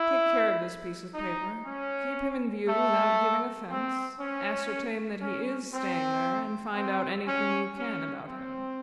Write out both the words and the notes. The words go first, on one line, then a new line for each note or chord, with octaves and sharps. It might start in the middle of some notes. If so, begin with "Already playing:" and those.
'Take care of this piece of paper, keep him in view without giving offence, ascertain that he IS staying there, and find out anything you can about him.'
Already playing: E4
D#4
C#4
A3
C4
C#4
C#4
C4
C4
C#4
C#4
C4